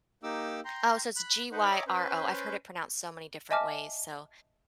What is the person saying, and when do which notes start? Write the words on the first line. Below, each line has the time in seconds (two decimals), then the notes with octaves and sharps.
Oh, so it's G-Y-R-O. I've heard it pronounced so many different ways, so,
0.23 A#3 D#4 G4 D6 E6
0.65 G5 A#5 C6
1.16 B5 F#6
1.52 D#4 B4 C5 F#5
1.71 C#5 D#5 E5 A#5 D6
1.87 C#4 B4 C5
3.51 D#5 E5 G#5 A5 D6 F6